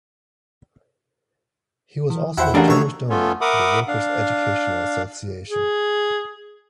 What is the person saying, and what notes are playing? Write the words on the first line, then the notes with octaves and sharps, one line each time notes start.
He was also a generous donor to the Workers' Educational Association.
E3
E2 E4 F#4 C5 F#5
A1 C#4 D4 G4 G#4 A#4 F5 F#5
D2 D#3 C#5 E6
A3 B3 C#4 F4 A4
A#4 E5 F#5 B5 D6 D#6
D4 F5
G#4